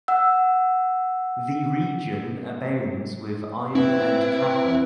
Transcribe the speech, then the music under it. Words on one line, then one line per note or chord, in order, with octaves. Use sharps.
The region abounds with iron and copper.
F#5 E6
C4 E4 B4